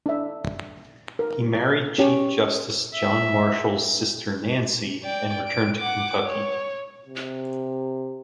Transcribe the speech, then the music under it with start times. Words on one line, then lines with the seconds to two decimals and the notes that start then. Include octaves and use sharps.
He married Chief Justice John Marshall's sister Nancy, and returned to Kentucky.
0.06 D4 E5
1.19 A#4
1.98 C#4 G4 C#5
2.94 E5
5.04 D5 G5
5.47 D7
5.79 F#5 D6
6.26 C#5
7.07 C3